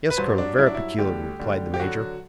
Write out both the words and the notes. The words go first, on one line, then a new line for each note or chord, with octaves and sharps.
"Yes, colonel; very peculiar," replied the major.
B4
G2 F#3 C5
D4
G2 F#3 E4
D4
E4
D2 D3 G3 G4
D2 D3 G3
G4
D3 F#3 F#4